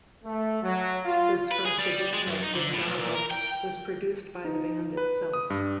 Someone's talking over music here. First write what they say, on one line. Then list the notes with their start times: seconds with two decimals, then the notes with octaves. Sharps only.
This first edition of this album was produced by the band itself.
0.25 A3
0.62 F#3
1.04 F4
1.52 B4
1.65 G#4
1.78 G3
2.13 G#3
2.27 F#2
2.42 D#4
2.54 D3
2.74 A2
2.86 B1
2.99 A#2
3.15 A#4
3.31 G5
4.45 D#4
4.97 B4
5.33 D#6
5.50 G2